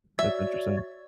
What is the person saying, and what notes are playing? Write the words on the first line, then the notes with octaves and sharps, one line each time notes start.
That's interesting.
F#4 C#5 D5 E5